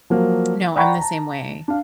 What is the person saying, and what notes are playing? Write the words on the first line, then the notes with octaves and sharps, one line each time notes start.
No, I'm the same way.
F3 F#3 A#3
D5 F#5 G5 A#5 B5 C#6
A5 A#5
D4 F5